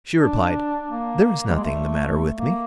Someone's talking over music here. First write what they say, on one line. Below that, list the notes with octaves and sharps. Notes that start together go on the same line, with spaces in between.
She replied: "There is nothing the matter with me."
D4
A#3
G3
G#3
A3
A#3